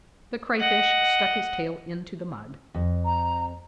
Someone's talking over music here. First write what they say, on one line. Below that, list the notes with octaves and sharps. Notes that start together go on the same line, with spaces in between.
The Crayfish stuck his tail into the mud.
D#5 F#5
F2
A#5